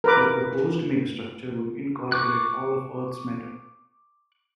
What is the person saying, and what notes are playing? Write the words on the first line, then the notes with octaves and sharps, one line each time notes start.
The proposed megastructure would incorporate all of Earth's matter.
A#4 B4 D6
C#6 D6 F#6